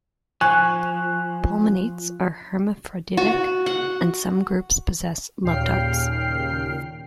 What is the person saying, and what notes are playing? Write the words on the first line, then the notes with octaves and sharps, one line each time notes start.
Pulmonates are hermaphroditic, and some groups possess love darts.
F3 G#5 C#6 F#6
F#4
F#5
D#2 A#2 C#3 G5 F6 C7